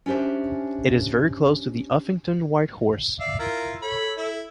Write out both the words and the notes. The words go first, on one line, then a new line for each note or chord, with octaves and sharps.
It is very close to the Uffington White Horse.
C#4 D4 G4 C5 E5
D5 E5 F5
E4 F4 A#4
A4 C#5 B5
E4